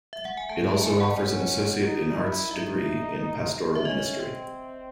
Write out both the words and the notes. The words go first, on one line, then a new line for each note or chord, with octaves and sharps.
It also offers an Associate in Arts degree in Pastoral Ministry.
E5
F#5
G#5
A3 A5
A5
G#5
F#5
C#4
D#4
E4
D#4 E5
E5
C#4 D#5
C4